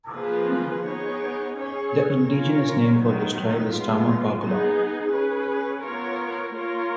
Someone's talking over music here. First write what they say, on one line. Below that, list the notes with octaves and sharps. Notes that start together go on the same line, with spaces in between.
The indigenous name for this tribe is "Tamoucougoula".
F3 A#3 F4 G#4 B4
B3 D#4 G#4 C#5
C#4 G#4 C#5
C#4 F4 A#4 C#5
D#3 F#3 B3 D#4
G#3 B3 F4
B3 D#4 G#4
C#4 G#4 B4
B3 F4 A#4 C#5
A#3 F4 A#4 C#5